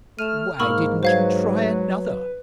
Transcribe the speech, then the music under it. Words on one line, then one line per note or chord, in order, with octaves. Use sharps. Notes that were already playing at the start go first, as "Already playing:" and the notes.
"Why didn't you try another?"
A3 F6 D#7 E7
G#2 A#3 B5 C#6 E6
F#3 B4 C5 F5 G#6